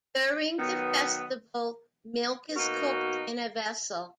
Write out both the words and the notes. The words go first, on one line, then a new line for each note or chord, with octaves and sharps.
During the festival, milk is cooked in a vessel.
D#3 F#3 B3
B2 A#3 D#4 F#4 A#4